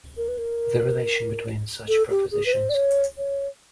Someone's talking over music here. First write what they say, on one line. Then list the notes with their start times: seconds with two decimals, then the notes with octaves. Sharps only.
The relation between such propositions.
0.17 A#4
0.28 B4
0.38 A#4
1.88 A4
2.10 G4
2.32 G#4
2.46 B4
2.53 C5
2.69 D5
2.75 C#5
3.18 C#5